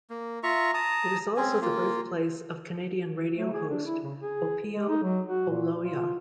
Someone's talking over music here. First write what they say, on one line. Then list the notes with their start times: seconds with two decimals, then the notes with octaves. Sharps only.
It is also the birthplace of Canadian radio host Opiyo Oloya.
0.10 A#3
0.43 F4 E5 A#5 C#6
0.74 A5 A#5 D#6
1.36 C4 C#4 G#4
1.62 A#3 F4
3.37 A3
3.53 G#4
3.70 D4
3.86 E4
4.04 C#3
4.20 G#4
4.74 G#3
4.89 D#4
5.03 F#3
5.27 F#4
5.50 A#2
5.82 F4